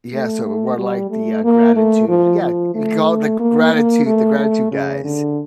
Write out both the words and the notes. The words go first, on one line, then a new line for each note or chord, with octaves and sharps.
Yeah, so we're like the, uh, gratitude yeah. We call it the gratitude the gratitude guys.
A3
A3
G3
A3
A#3
A3
F3
F3
A3
A#3
A#3
A3
A3
C#3
D3